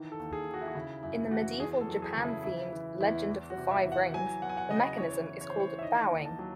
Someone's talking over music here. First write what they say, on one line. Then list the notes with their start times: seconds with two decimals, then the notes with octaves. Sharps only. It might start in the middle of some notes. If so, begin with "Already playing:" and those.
In the medieval-Japan-themed "Legend of the Five Rings", the mechanism is called "bowing".
Already playing: D#3 E3
0.12 A4
0.19 D#2
0.33 G#4
0.48 D#3
0.54 F#4
0.61 E4
0.68 F#4
0.75 C#3 E4
1.03 F#2 E4
1.31 E3 F#4
1.59 E2 G#4
1.81 A4
1.88 F#3
2.02 G#4
2.16 C#3
2.23 E4
2.44 E3 E4
2.73 E3
3.00 E2 E4
3.29 E3
3.50 F#4
3.58 C3
3.71 E5
3.85 E3
3.92 F#5
4.14 F#3 G#5
4.42 E2 F#5
4.49 G#5
4.57 F#5
4.69 C#3 D#5
4.98 E3 C#5
5.26 E3
5.41 C#5
5.49 C5
5.54 E3
5.60 C#5
5.79 E5
5.82 D#3 D#5
6.10 D#2
6.25 A5
6.39 F#3